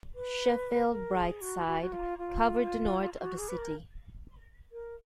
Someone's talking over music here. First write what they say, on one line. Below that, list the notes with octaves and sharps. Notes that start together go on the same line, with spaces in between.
Sheffield Brightside covered the north of the city.
B4
A#4
G#4
F#4
F#4
F#4
F4
F4
F#4
G#4
B4
A#4
A#4